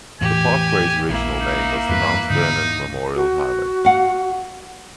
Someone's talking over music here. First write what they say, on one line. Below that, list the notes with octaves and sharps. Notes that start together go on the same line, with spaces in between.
The parkway's original name was the Mount Vernon Memorial Highway.
E2 A2 E3 G4 G#5
A#1 A#3 E4
D#4
E2 G2 B3 B4
G#2 D3 D#4
F#4
F5 F#5